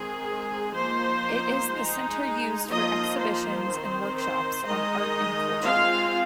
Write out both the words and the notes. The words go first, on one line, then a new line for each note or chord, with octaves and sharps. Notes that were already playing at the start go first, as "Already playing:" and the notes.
It is the center used for exhibitions and workshops on art and culture.
Already playing: D#3 G#3 C4 G#4
F3 A#3 D#4 C5
G#3 D#4
F3 A#3 D#4 D#5
C5
D#3 C4 D#4
C5
D#3 G#3 D#4 D#5
G#3 C4 F4 F5